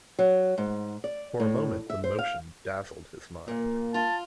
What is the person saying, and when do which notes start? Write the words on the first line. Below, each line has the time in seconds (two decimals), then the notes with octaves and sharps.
For a moment, the motion dazzled his mind.
0.19 F#3
0.58 G#2
1.04 D5
1.40 A2
1.90 E5
2.04 C5
2.19 F5
3.48 A#2 A#3
3.94 F4 A5